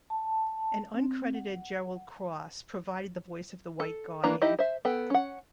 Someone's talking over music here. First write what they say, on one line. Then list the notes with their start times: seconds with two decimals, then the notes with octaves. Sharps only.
An uncredited Gerald Cross provided the voice of the White Guardian.
0.10 A5
0.94 C4
1.35 F#5
3.80 A4
4.23 E3 A#3 D4 A#5
4.42 D#4 E4 G4 D#5
4.59 C5 E5
4.85 B3 A4 G5
5.10 C#4 F#5